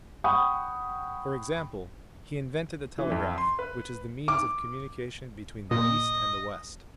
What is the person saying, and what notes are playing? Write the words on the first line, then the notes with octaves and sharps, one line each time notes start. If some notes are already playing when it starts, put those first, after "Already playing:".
For example, he invented the telegraph, which is the means of communication between the East and the West.
F#5 G5 B5 C#6 D#6
E3
F2
C6
B4
D6
A#2 D#5